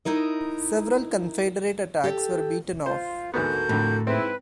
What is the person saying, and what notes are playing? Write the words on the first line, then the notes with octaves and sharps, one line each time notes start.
Several Confederate attacks were beaten off.
D#4 E4 A#4 D#5
G4 A4
F4 C5
D2 G#2 B3 F#4 A4 A#4 G6
F2 A2 D3
G#2 C4 E4 B4